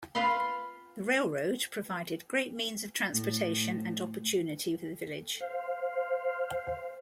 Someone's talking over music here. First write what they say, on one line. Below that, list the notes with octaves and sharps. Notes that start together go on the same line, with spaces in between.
The railroad provided great means of transportation and opportunity for the village.
F4 B4 F5 B5 C6
A2
C5 F5